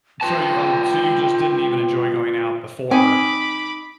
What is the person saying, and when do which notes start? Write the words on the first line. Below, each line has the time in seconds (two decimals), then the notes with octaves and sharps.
So you, uh, so you just didn't even enjoy going out before
0.21 F4 B4 G5 A5
2.91 C4 D#4 G#5 B5 D6